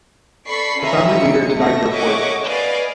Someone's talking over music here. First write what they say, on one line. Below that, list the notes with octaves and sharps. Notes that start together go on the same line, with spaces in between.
The Family Leader denied the report.
A4 D5 A5 B5 C#6 C7
C#4 F4 D#5 E5 A#5
C#7
A3 E5 A#6
C#5 D#5 E5 F#5 C#6 D6
B4 D5 D#5 F5 G#5 D7